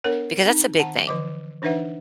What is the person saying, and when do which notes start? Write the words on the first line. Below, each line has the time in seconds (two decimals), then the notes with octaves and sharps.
because that's a big thing.
0.04 B3 D4 A4 A#4 C#5 F#5
0.45 C4 D#4
0.78 D#3 F#5 A5 A#5
1.07 D3 E3 F3 D#5 D6
1.62 E3 D4 D#4 B4 E5 F#5